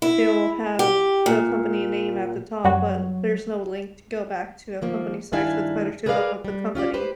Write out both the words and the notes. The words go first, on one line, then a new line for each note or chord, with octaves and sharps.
they'll have the company name at the top but there's no link to go back to a company site so it's better to look up the company
E4
G4
A#2
F#2 F#3 G3 F#4
D#3 F3 A#3
G2 D#3 D4 E4 F5 G#5
G#4 A#4 B4 D5 E5 F5
G3
C#4 F4 G4 D5
G4 B4 C5